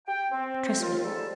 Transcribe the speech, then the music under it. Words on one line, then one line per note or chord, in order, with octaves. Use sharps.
Trust me!
G5
C4
D#2 F4
G#2 G3 A4 A5